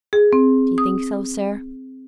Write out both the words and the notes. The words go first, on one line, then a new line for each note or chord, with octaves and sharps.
'Do you think so, sir?'
G#4
C4
D#6